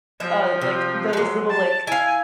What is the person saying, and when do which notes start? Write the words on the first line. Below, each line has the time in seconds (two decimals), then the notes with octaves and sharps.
uh, like those little like,
0.20 F3 E5
0.61 C3
1.13 F#3 G#3
1.50 A5
1.87 E4 F5 G#5